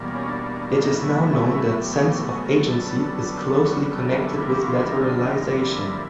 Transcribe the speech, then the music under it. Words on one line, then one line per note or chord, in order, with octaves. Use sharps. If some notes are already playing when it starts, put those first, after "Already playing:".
It is now known that sense of agency is closely connected with lateralization.
Already playing: E2 B2 G3 A#3
C#4
D4
D4
D4
D4
D#4
E2 B2 F#3 A3 E4
G4
G#4
G4
F#4
G#4
A#4
F#2 D3 G3 B3 A4
A4
F#4
A4
A#4
A4
F2 D3 G3 A#3 E4
G4
F#4
F4
E4
D#4
C#4
D4
D4
D#4
E4